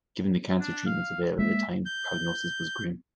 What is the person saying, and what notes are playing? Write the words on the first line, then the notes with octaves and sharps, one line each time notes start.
Given the cancer treatments available at the time, the prognosis was grim.
D4
F5
G#3 A#3 E5
G6